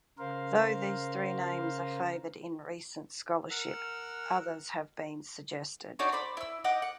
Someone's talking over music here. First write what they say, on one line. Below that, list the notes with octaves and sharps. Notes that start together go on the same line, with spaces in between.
Though these three names are favored in recent scholarship, others have been suggested.
C#3 A#4 C5 F5
A#4 F#5 E6 F6
D4 D#4 F#4 C#5
C5 D5 B5
E4 E6
D#4 D#5 F#5 D6
F#5